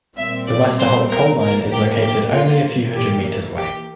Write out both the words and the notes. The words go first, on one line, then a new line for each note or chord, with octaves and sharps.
The Westerholt coal mine is located only a few hundred metres away.
A#2 G3 C4 E5
D5
C5
A#4
E3 A#3 A#4
G4
G4
F4
E3 A#3
G4
G4